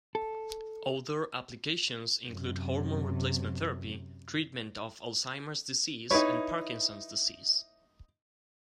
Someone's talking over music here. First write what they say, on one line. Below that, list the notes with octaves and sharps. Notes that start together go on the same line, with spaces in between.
Other applications include hormone replacement therapy, treatment of Alzheimer's disease and Parkinson's disease.
A4
F#2 C3
D#4 E4 B4 C#5 C#6